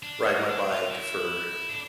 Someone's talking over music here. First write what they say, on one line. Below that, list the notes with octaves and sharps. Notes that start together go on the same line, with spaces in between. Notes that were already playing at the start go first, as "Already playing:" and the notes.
ride my bike for
D4
A#3
D4
F4
E4
D4